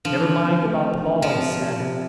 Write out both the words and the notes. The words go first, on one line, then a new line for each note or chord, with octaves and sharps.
"Never mind about the ball," he said.
D3 F3
D3
C4
A3
C4
D3
C3 F3
C3
C3
C3